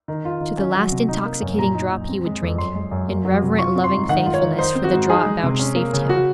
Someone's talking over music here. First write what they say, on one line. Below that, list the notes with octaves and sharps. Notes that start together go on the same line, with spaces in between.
To the last intoxicating drop he would drink, in reverent loving-thankfulness for the draught vouchsafed him.
D#3
F4
D#3
C#4
F#3
C3
D#4
A#3
F#2
A#2 A#5
D#4
A#2
C4
G#3
F2
F#2 C6
G#3
F#2
A#3
F#3
C3
F4 C#6
C4
C6
G#2
D#3 F#5
F4
C#5
D#3
D#4 C5
C4
F#4
G#2
D#4 G#4
G#3
C3
C#4
A#3
C#3
F#4